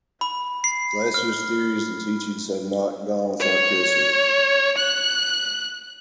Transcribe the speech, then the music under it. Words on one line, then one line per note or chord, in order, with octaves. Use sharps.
Glasser's theories and teachings have not gone without criticism.
B5
C7
F6
C#5
F#6